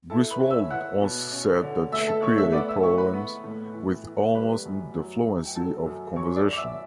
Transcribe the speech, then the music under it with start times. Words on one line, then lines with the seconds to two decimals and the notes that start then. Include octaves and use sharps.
Griswold once said that she created poems "with almost the fluency of conversation".
0.10 E4 A4 A5
0.31 B4 B5
0.40 C#4
0.50 E5 E6
0.70 E4 F#5 F#6
1.02 B2
1.32 C#4
1.62 D3
1.92 A3 E5 E6
2.07 A4 A5
2.22 A3 C#5 C#6
2.37 E5 E6
2.52 B3 D5 D6
2.68 E5 E6
2.83 E3 C#5 C#6
2.98 B4 B5
3.13 B3
3.44 A2
3.73 E3
4.04 E3
4.34 G3 B4 B5
4.65 F#2
4.95 F#3
5.25 F#3
5.46 G5
5.55 F#3 A4 A5
5.86 F#2
6.16 F#2 C#5 C#6
6.36 D5 D6
6.47 F#2
6.53 D6
6.56 E5 E6